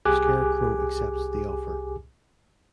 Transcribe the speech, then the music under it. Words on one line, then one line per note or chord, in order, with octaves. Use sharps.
Scarecrow accepts the offer.
C2 G4 G#4 G#5 D6 F#6